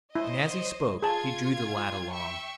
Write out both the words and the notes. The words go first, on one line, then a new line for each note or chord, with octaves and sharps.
And as he spoke he drew the lad along.
E4 C5 C#5 D#5
F4 G#4 A5 G#6
E5 G5 C#6